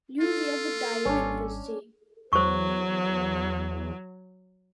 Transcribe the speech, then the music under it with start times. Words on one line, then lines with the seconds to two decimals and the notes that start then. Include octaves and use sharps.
Luisa would die in infancy.
0.21 F4 A4
1.05 G#1 G3 C#4 D4 C#5
2.33 E2 F#3 C5 C#6